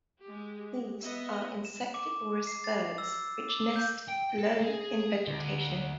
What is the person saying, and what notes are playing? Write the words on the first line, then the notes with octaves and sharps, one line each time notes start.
These are insectivorous birds which nest low in vegetation.
G#3 G4
B3 D#5 E5
E7
D6
C7
A6
E6
D6
G6
G5
A4
G#4
D2